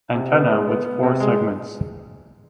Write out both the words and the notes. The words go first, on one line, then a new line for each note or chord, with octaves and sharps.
Antennae with four segments.
C3
B3
G#3
B3
B3
C3
G#3